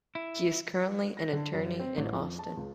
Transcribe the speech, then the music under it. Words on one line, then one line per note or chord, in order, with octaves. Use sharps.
He is currently an attorney in Austin.
E4
A#6
D3
F#2
C4
A1
F2
A5
C#2